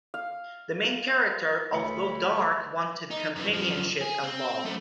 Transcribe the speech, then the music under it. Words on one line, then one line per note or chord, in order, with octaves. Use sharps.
The main character, although dark, wanted companionship and love.
F5
D2 C#5 B5 C#7
D#4
F#2 E3
F#2 F3
G#4
C4
F#2 A3